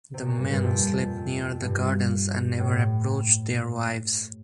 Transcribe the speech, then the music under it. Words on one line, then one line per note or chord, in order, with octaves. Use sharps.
The men sleep near the gardens and never approach their wives.
C3
A#2
G2
G2
F2
G2
A2